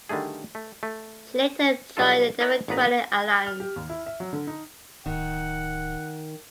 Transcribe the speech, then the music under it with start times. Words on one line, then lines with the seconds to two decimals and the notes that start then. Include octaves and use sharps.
She later joined the Democratic Alliance.
0.09 D3 D#3 G3 A3 G#4
0.55 A3
0.83 A3
1.97 B1 B2 G3 F4 A4
2.40 E4 A#4 B4 C#5 D#5 F#5
2.68 G#1 A#2 B3 B4 A#5
3.46 F6
3.60 G4
3.76 D#2
3.90 E4
4.06 E5
4.20 F#3
4.33 D3
4.47 D#4
5.06 D1 D#3 F#5